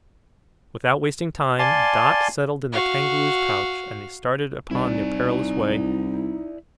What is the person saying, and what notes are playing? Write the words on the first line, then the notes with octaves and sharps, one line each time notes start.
Without wasting time, Dot settled in the Kangaroo's pouch, and they started upon their perilous way.
D5 F5 G#5 A5 C6
F#4 F5
C2 D#4 E4 D5